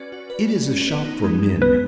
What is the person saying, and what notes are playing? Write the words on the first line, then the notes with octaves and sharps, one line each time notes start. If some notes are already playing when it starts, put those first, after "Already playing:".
It is a shop for men.
Already playing: C#4 F#4 B4 D5
F#4
B4
D5
C#4
B3
D#4
G#3
G#3
B3 B4